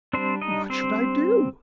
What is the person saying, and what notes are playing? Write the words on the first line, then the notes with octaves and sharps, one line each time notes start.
What should I do?
G3 C4 D4 C5
D#4 D#5
C4 C5